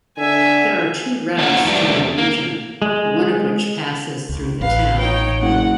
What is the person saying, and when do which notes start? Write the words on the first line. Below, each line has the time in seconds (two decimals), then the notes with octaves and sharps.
There are two routes through the region, one of which passes through the town.
0.18 D3 E5 G#5
1.38 A#3 D4 D#4 F4 C#5 F#5
1.65 E2 G3 A3 D4
2.18 A#3
2.82 G#3
4.29 C#2
4.61 A1 B4 F5
5.00 D#4 C#5 G5
5.42 F#1 F#5